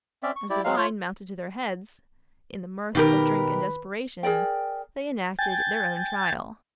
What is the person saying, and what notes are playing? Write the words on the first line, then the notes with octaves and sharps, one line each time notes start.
As the wine mounted to their heads, in the mirth of drink and desperation, they enacted their own trial.
C4 C#4 D5 E5
C#6
E4 G4 D5
F#3 G#3 F5
F4 C#5
B2 D#3 G4 A#4 B4
G#4 A#4 D5 G5
G5 G#5 A6